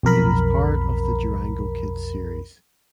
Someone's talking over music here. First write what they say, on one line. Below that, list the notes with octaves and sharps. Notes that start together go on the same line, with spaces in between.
It is part of the Durango Kid series.
B1 F2 A#4 B5